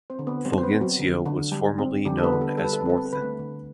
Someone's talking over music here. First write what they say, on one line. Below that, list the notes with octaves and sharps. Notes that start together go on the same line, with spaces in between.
Fulgencio was formerly known as "Morthon".
C4 C5
D3
B3 B4
G3 C4 C5
C5
B3 B4
C4
F#3 F#4
D3
D3
G3
C4
D3 G3 G4
A4
B3 B4
D3
A4
B4
G3 A4
B4
A4
B4
C4 A4
B4
A4
D3 B4
A3 A4
D3